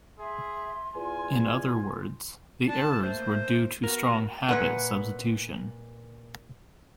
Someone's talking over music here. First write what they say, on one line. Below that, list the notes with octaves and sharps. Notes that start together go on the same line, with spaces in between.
In other words, the errors were due to strong habit substitution.
G#4 E5 C6
E2 F4 G#5
D4 A5
A3 A#3 C5
B3 F#4 A#4
A#2 B4 F#5